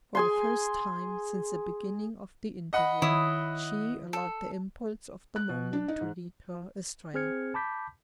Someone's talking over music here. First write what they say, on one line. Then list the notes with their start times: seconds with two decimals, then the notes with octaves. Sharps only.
For the first time since the beginning of the interview, she allowed the impulse of the moment to lead her astray.
0.15 G#4 G#5 C6
2.73 D#5 F#5 B5
3.02 D#3 E4 C#5 D#6
4.13 A4
5.36 F#6
5.49 B2
5.73 D4
5.88 D#4
6.01 G#2
7.14 C4 G#4 C5 F6 G#6 C#7
7.54 A5 B5 D6 G6 B6